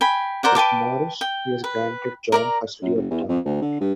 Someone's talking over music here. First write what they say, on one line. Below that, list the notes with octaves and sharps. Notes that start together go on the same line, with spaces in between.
With Maurice, he was granted joint custody of the town.
G5 G#5 B5
A#4 C5 D5 F#5
B4 G5 A5 D6
G5
B4
A#4 D5 A#5
F#2
F#1
E2
F2
D2
D3
G2